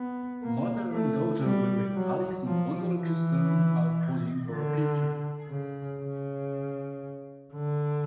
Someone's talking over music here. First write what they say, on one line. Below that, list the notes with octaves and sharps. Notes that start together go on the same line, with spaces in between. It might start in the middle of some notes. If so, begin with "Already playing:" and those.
Mother and daughter wearing Alice in wonderland customs are posing for a picture.
Already playing: B3
A#3
A3
G3
F#3
F3
E3
D3
C#3
C#3
D3